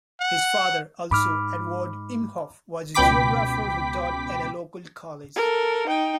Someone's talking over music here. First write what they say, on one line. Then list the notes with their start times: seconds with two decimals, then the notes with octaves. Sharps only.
His father, also Eduard Imhof, was a geographer who taught at a local college.
0.21 F#5
1.11 G#2 B5 D6 F6
2.94 C#2 B2 G5 B5 D6 B6
5.36 A4 A#4
5.87 D#4 G5